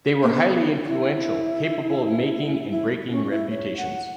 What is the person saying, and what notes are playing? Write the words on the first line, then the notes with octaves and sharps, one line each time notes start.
They were highly influential, capable of making and breaking reputations.
A#3
B3
E4
E4
C#4
D4
E4
C#5
F#5